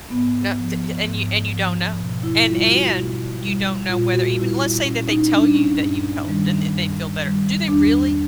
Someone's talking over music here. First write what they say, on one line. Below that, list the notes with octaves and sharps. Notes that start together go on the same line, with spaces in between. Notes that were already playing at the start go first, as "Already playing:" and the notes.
No, th and you and you don't know, and and you don't know whether even let's say that they tell you that you've helped and that they feel better, do they really?
G#2 B3
F3
G#2
F3
B2
E4
G3 F4
F#4
B2
G3
A#2 F4
F#4
G3 E4
A#2 C#4
D#4
G3 D4
C#4
G2
D#3 G3
G2
D#3 G3
E2 D4